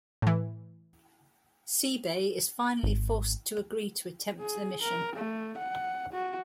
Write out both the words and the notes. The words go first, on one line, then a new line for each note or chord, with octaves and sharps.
Seibei is finally forced to agree to attempt the mission.
A2 E3
G#1
G#4
A#4
A3
F#5
F#4